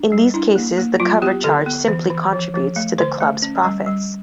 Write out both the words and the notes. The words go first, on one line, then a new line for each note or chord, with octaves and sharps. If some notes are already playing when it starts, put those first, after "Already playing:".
In these cases, the cover charge simply contributes to the club's profits.
Already playing: D4
G3
D4 E4
A#3
A#3
F#3 F4
B3 G4
D3 A4
B3
E3
E3
F3
F3
A3
D3 C5
A3
C#4
G3
G3